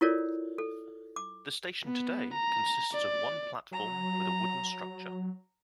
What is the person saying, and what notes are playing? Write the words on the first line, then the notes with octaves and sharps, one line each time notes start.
The station today consists of one platform with a wooden structure.
E4 F4 A4 A#4 C#5 D5
A4
D6
B3
A#5
D5
F#3 A#5